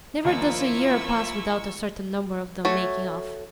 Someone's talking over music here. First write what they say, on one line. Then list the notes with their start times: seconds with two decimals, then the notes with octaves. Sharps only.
Never does a year pass without a certain number of them making off.
0.25 D#2 F3 A#3 E4 F4 C#6 E6
2.65 A3 F#4 C#5